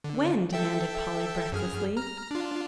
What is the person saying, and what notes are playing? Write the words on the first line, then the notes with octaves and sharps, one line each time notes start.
"When?" demanded Polly breathlessly.
D3
A4 E5 G5
F#2 G#4 F6
A#5 F6
D4 F4